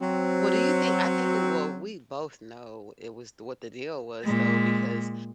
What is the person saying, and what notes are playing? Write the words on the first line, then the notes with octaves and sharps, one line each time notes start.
Well, do you think I think it well, we both know it was the what the deal was, though, because
F#3 C4
A#2 G#3